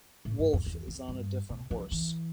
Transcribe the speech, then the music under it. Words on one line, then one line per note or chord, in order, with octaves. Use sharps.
Woolf is on a different horse.
A2
G2
F2
E2
F2
G2
B2
F3
E3